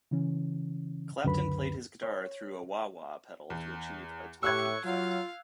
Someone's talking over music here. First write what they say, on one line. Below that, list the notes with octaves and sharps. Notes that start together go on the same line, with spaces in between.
Clapton played his guitar through a wah-wah pedal to achieve a "talking-effect".
C#3 E3 C#4
C#2 F#2 D3 B4 B5
C#5
E2
A2 G4 C#6 E6 F#6 G#6
F#3 F4 F5